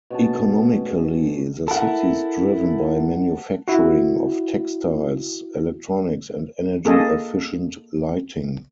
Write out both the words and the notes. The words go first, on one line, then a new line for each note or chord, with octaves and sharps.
Economically, the city's driven by manufacturing of textiles, electronics, and energy-efficient lighting.
B2 C#4 A5
E4 A4 A#4 E5 F#5 A5
E4 F#4
A#3 G#4 A4 D#5